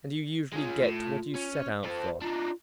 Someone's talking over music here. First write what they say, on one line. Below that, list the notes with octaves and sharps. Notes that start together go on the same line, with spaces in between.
And you usually get what you set out for.
G#3 C#4 F4
A2
C#4
F3 A4 C5
D4 D#4 F4